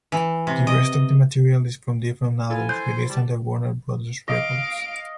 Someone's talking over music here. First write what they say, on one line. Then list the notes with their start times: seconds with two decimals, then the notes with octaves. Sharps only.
The rest of the material is from different albums released under Warner Brothers Records.
0.12 E3
0.47 C3
0.67 D#5
2.50 E4 F4 A4 G#5
2.69 C5 G6
3.09 G3 A5
4.28 D#5 F5 D7